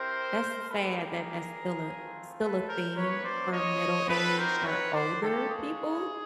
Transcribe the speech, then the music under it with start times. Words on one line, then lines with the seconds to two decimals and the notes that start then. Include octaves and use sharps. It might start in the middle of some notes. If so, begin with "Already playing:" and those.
That's sad that that's still a still a thing for middle-aged or older people.
Already playing: C4 E4 G4 A#4 C5
0.69 G3 A#3 D#4 G4 A4 B4
0.97 G#4 A#4
1.82 A3 C4 F4
2.39 A4 B4
2.67 A#4 C5
2.95 G3 A#3 C#4 B4 C#5
3.23 C5 D5
3.51 C#5 D#5
4.08 C4 D#4 F#4 A4 B4
4.37 A#4 C5
4.65 B4 C#5
4.93 C5 D5
5.21 G#3 C#4 F4 G4 A4
5.49 G#4